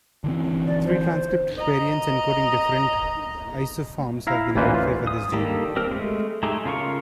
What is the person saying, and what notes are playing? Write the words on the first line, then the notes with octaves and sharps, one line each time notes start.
Three transcript variants encoding different isoforms have been identified for this gene.
D3 E3 C4
D5
C5
D#5 A#5
E4 F5 A#5
A1 D2 E3 A#3 B4 C5
F4
D#6
D#3 G3 A#3 G4 A4
C4 G4 A#4 F6
G#3 A3
G#3 A3 D#4 G4
C#3 F4 A#4 C#6